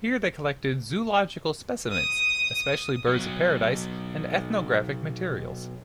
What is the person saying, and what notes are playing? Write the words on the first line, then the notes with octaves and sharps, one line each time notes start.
Here they collected zoological specimens, especially birds-of-paradise and ethnographic materials.
D#6
B2 F#3